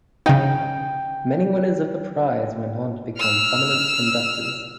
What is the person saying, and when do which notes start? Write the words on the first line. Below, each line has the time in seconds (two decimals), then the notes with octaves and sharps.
Many winners of the prize went on to become prominent conductors.
0.26 C#3 D#4 G5
3.18 E6 F6